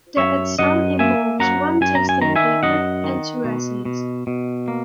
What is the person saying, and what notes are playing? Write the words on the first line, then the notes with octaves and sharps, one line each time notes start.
The exam involves one tasting paper and two essays.
F#2 C#5 E5
F#2 D#5 F#5
A#3 E5 G#5
F#2 F#5 A#5
F#2 G#5
A#5
G#5
D#3 A#5
E5 G#5
F#2 D#5 F#5
D#3
B2
B2
B2
A#3